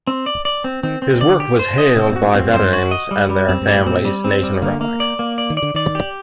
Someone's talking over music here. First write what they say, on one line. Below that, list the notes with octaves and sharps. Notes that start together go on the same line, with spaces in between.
His work was hailed by veterans and their families nationwide.
C4
D5
D5
C4
D#3 C4
C4
D3 D5
G4
C5
D#5
C3 C4
A#2
F#4
A2
F#2 A2 C4
G2
F#2 C5
G2
F#4
D#5
G3
G3
F#2 C4
G2
G3
A2
A#2 C4
G3
C4
G3
D3 A#3
A#3
D5
A#3
D5
D#3
D5
D3
D#3 D5
G4